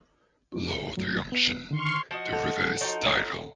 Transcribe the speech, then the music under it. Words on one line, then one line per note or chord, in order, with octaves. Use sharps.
Below the junction, the river is tidal.
G2 F#3 A3
B3
D3 D#3 C6 C#6 F6
F3 F#4 D#5
A4 F#5 G6
F3 D#4 F#4 C#5
C#5 D#5 E5